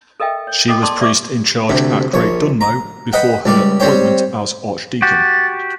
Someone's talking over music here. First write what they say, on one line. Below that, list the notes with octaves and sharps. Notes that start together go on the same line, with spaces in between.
She was Priest in charge at Great Dunmow before her appointment as Archdeacon.
A4 A#4 D#5 E5 G5
C#5
A4 A#4 D#5 G5 D6
D5 A5 C6 D6
C5 D5 E5 C#6 D6
D2 C3
A#1 C#5 C#6
A#5
B4 D#5 F#5 G5
C#2 G3 D5
G3 C4 C5 C#5 G5
F#4 G4 A6